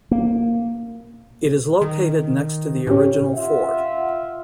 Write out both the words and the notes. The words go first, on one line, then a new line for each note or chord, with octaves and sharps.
It is located next to the original fort.
A#3
D#3
A2 C#4 G4
F4 E5 F#5